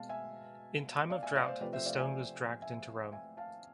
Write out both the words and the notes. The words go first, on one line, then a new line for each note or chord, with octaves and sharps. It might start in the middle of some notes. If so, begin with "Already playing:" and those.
In time of drought the stone was dragged into Rome.
Already playing: B2 G#3 C4 F5 A5
E5 G#5
D5 F5
E5 G#5
D5 F5
C5
C3 F3 A3 C4 B4 D5
C5 E5
D5 F5
E5 G#5
E5 G#5
E5 G#5
F5 A5